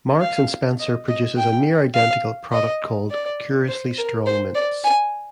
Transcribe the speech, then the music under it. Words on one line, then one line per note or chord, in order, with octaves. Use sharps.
Marks and Spencer produces a near identical product called "Curiously Strong Mints".
F5
D#5
D#5
G5
F5
D#5
D5
C5
A#4
C5
D5
G#5